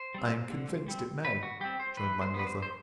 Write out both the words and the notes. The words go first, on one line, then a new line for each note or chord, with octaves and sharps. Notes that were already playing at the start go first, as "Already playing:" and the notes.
I am convinced it may, joined my mother.
Already playing: C5
G3 C4
D3
G3 C4
D3 B4
F#4
G3 C4 G4
C5
E3 B4
C5
B3 B4
C5
C5